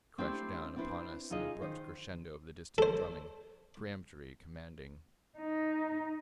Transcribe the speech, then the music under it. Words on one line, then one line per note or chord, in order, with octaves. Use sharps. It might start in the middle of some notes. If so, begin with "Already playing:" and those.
Crashed down upon us an abrupt crescendo of the distant drumming; peremptory, commanding.
A3 C4 D4 E4 G4 C5
C4 D4 E4 A4 B4 C5
C3 D#4 F4 G#4 D#5
D#3 C5
A4 C5
D#4